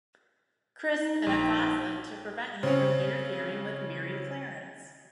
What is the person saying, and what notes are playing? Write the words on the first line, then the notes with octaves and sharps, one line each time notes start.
Crisp in a closet to prevent him from interfering with Mary Clarence.
D#4
A#1 G5
C#3 C4 C#4